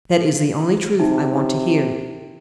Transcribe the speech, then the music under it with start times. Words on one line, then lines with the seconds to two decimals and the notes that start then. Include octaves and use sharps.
"That is the only truth I want to hear."
1.00 C3 D#4